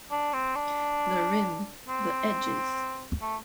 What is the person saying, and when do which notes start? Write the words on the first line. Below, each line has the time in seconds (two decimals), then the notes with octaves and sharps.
The rim, the edges.
0.11 D4
0.33 C4
0.56 D4
1.89 C4
3.21 A3